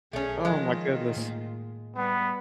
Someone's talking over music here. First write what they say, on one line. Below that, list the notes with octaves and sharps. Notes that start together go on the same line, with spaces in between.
Oh my goodness.
B1 A3 C#4 G#4
D#3 F3 G#3 F4
A2 A#3
G3 B3